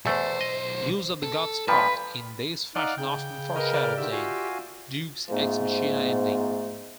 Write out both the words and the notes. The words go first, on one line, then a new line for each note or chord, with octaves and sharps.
Use of the godspot in this fashion often foreshadows a deus ex machina ending.
B1 E2 A3 C5
D#5
A4
G2 A#2 F3 B4 B5
D#4 D5 F5 F#5
C#3 G5
A#4 B4 D#5 F6
D5 G6
D3 D#3 G4 E5
F4 F#4 F5 G#5
G#2 F3 A3 B3